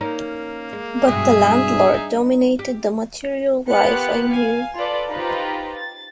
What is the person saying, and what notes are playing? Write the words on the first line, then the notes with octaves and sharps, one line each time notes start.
But the landlord dominated the material life I knew.
A#3 C#4 D#4 A#4
G#3
G2 B2 G#3 G#4 E5
D#4
G4
B3 F4 G4 A#4 F#6 C#7
F5 G#5
F4 A4 B4 D5
D#4 F4 G4 B4 C5
A6